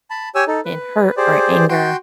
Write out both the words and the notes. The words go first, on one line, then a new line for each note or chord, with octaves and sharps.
in hurt or anger,
A5 B5
G4 C#5 G#5 E6
D#4 A4
B4
G4 G#4 C5 D5
F#4 G5 C6 G6